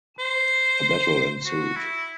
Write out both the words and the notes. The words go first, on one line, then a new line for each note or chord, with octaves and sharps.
A battle ensued.
C5
F#4
E4